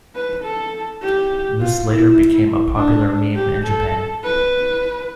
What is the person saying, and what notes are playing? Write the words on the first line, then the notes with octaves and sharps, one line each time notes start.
This later became a popular meme in Japan.
B4
A4
G4
F4
E4
D4
G4
A4
B4